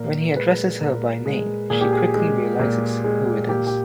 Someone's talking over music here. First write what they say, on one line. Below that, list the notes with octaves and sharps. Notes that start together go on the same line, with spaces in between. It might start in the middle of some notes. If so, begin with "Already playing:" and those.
When he addresses her by name she quickly realizes who it is.
Already playing: A#2 A#4
G#3 B4
A#2 A#4
G#3
A#2 G#4
G4
G#4
G#3
A#2
G#3
A#2 G4
G4